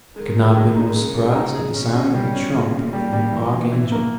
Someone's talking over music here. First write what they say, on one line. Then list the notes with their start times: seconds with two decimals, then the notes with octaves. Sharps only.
I could not have been more surprised at the sound of the trump of the Archangel.
0.16 D#3 G#3
0.36 G#3
0.56 G#4
0.75 D#4
0.95 C#3 G#3
1.15 G#3
1.35 D#4
1.54 G#4
1.74 B2 C#4
1.94 C#4
2.14 G3
2.34 C#4
2.53 A#2 C#3
2.73 C#3
2.93 G3
3.13 G3
3.32 E3
3.53 E3
3.72 E3
3.92 A#3